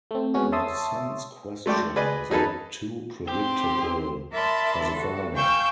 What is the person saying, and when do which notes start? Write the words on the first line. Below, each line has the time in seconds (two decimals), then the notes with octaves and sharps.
The son’s question was not too predictable for the father.
0.11 A3 C4
0.34 G#3 B3 C#4 F#4
0.52 C#5 E5 A5 C6 D#6 E6
1.66 G#3 A3 D5 G5 D6
1.96 G#4 B4 D5 D#5 G#5
2.30 F#3 D#4 G#4 A4 B4
3.28 C4 G4 C6
4.32 A#4 D5 E5 A5 B5 C6
4.93 F#4 A4
5.35 F5 G5 G#5 C#6 E6 G6